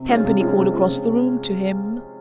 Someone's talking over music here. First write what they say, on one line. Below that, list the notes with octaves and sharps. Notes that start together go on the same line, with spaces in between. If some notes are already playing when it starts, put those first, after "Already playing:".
Campany called across the room to him.
Already playing: C3
F3 G#3 C#4 F4
C3
F3 G#3 C#4 F4
C3
F3 G#3 C#4 F4
C3